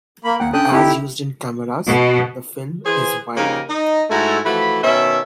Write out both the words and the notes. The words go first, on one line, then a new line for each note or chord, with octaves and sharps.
As used in cameras, the film is wide.
A#3 B5
D#2 A#3 F#5 G5
C#4 D4 A4 G5 D#6 F#6
C4 D#4 E4 G4 A4
B2
E3 G#4 C5
C#3 F3 A#3 D#4 G4 A#4
D#4 D#5
G#2 A3 E4 F#4 A4 A#5
E3 F3 A3 F#4 B5
B2 D#3 C#4 E5